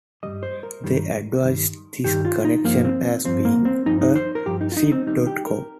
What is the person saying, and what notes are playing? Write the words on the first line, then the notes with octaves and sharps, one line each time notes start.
They advertised this connection as being a "sit dot com".
G2 D#3 G3 D#5
C5
A#4
G2 D#3 G3
G2 D#3 G3
G2 D#3 G3 G4
F4
D#4
G2 F3 A#3
C4
G2 F3 C4
A#3
C4
G2 F3 D#4
D#4
C5
A#4
G2 F3 G4
D#4
F4
D#4
C4
C2 C3 D#3 G3 D#4
G4
A#4